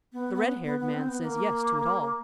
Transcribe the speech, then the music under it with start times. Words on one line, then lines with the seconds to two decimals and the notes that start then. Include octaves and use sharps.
The red-haired man says yes to it all.
0.13 B3
0.34 B3
0.65 B3
0.79 B3
0.94 C4
1.09 B3
1.24 A#3